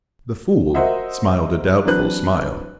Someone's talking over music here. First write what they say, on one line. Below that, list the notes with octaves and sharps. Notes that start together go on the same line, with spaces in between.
The Fool smiled a doubtful smile.
F#4 A#4 C5 D#5 E5 F#5
E3 F#3 C4 D4 B4 F#6